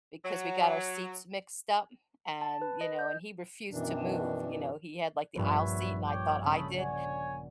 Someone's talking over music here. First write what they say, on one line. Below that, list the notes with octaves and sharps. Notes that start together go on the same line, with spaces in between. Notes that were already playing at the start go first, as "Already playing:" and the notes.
because we got our seats mixed up and, you know, and he refused to move, you know, he had, like, the aisle seat and I thought I did.
F#3
A5
B4
D#5
G6
F#2 B2 D#3 E3 D4
A#1 G2 B3 C#5 E5
C#5 G5 D6
C#3 A3 C#4 B5 D#6
C#5 D5 F#5 G#5